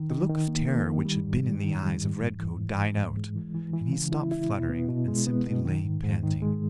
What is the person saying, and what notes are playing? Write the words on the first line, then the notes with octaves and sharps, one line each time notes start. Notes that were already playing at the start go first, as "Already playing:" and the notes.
The look of terror which had been in the eyes of Redcoat died out, and he stopped fluttering and simply lay panting.
Already playing: D#3
D#3
D#3
A#3
A#3
D#3
G3
G#2
G3
D#3
G3
G#2
E3
E3
G#2
E3
G#2
G#3
E3
E3
E3
C#3
E4
E4
B2
B3
B2
G#3
B3
B2
D#3
G#2
G#2
D#3
G#3